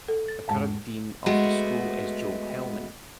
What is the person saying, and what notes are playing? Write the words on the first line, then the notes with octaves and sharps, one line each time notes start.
The current dean of the school is Joel Hellman.
A4
A6
E2 G#2 G#3 A5
G#3 A3 B3 F#4